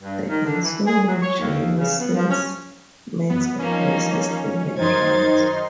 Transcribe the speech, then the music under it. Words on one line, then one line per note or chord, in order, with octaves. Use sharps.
The ensuing journey sees Max embrace his Divine Right.
G2
D#3
D3
E3
G#4
F#3
C#5
D#2
C#3
B3
F3
C#4
F#2 B3
F3 A#3 C#4 D#4
F#2 D#3 D#4 C5 C6 G#6 A6